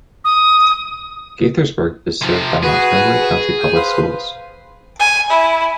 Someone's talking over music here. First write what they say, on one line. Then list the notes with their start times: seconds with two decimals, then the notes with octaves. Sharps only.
Gaithersburg is served by Montgomery County Public Schools.
0.25 D#6
2.22 C3 F3
2.63 F#4 G#4 B4
3.60 G5
3.75 B4 C5 F5
5.00 G#5
5.30 E4